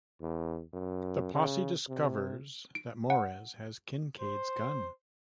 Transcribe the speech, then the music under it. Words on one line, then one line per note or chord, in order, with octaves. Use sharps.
The posse discovers that Morez has Kinkaid's gun.
E2
F#2
C#3
C3
D7
F#5
C5